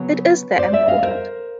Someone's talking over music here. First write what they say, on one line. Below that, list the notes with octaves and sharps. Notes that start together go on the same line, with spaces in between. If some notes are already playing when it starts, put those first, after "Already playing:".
It is that important.
Already playing: C#3 F#3 B3 B4 C#5
C5 D5
D5 E5
D#5 F5
A#4 C5